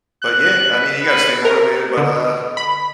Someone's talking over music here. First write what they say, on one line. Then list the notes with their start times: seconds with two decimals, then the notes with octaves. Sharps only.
But yeah, I mean, you gotta stay motivated, but, uh,
0.23 F#6
0.71 B4
1.07 B4
1.45 A#4
1.97 D3
2.57 B5